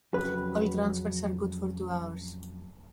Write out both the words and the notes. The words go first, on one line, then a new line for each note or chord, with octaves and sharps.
All transfers are good for two hours.
F2 C#3 F#3 B4